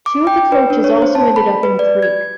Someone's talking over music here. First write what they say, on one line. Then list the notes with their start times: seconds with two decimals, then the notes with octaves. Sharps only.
Two of the coaches also ended up in the creek.
0.06 D6
0.27 G5
0.52 B4
0.70 D4
0.84 C#5
1.02 C5
1.15 A5
1.36 B5
1.63 B4
1.79 D5
2.02 G#6